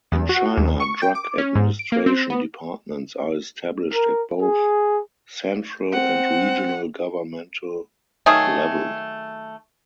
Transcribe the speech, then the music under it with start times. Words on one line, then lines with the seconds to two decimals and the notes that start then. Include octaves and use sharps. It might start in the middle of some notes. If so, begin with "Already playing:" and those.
In China, drug administration departments are established at both central and regional governmental level.
0.12 E2
0.29 F#4
0.57 D#2
0.80 C#6
1.02 G5
1.15 D6
1.38 C#4
1.55 G#2
1.79 D7
1.92 A#3
2.06 C4
2.30 B3
3.94 A#4
4.42 G#4
5.93 C4 F#5
8.26 D#3 F#3 A3 G#4